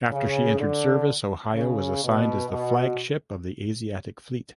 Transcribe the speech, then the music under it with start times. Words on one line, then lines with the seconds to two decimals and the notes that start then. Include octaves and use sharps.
After she entered service, "Ohio" was assigned as the flagship of the Asiatic Fleet.
0.12 C#3
0.59 D3
1.55 C#3
2.03 B2
2.50 B2